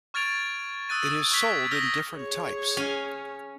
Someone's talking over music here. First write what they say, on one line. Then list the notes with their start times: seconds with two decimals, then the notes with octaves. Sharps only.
It is sold in different types.
0.14 C#6 F6 G#6 A6 D7 F7
0.89 D#6 E6 F#6 A6 D#7
1.31 C#6 E6 G#6 B6 F7
1.72 D#6 F6 G6 A#6 F7 G7
2.13 G#4 C#5
2.77 C#4 F5 G#5